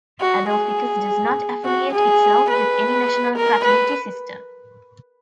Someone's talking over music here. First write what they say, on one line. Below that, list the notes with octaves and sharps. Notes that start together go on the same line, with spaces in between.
Adelphikos does not affiliate itself with any national fraternity system.
F#4
G#4
F#4
G#4
B4
A#4
B4